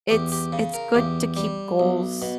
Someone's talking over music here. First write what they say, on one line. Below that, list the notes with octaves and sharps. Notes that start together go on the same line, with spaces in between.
It's it's good to keep goals
E2 G4
G4
C#3
A#4
E2 G4
G3
B1
B2